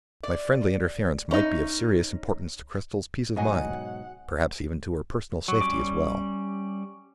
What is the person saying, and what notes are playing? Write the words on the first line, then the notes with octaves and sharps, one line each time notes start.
My friendly interference might be of serious importance to Cristel's peace of mind--perhaps even to her personal safety as well.
D5
C#4 D#4
G#2 B2 F#3 D#4 D#5 F#5 G#5
F#3 C#6
G3 C#4 D6